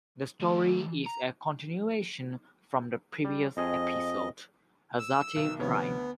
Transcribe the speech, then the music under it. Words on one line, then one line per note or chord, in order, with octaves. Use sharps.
The story is a continuation from the previous episode, Azati Prime.
D#3 A3
A#5
G3
F2 G#4 D#5
E6
B1 D#3
D2 C3 D#3 F3 B3 C#5